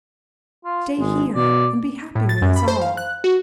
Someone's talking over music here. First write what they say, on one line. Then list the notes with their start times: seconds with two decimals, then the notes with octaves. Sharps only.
Stay here and be happy with us all.
0.65 F4
0.99 G#1 G#3
1.35 B2 D5
2.15 A2
2.29 A6
2.42 F#2
2.56 B5
2.68 C5
2.81 F5
2.97 F#6
3.24 F#4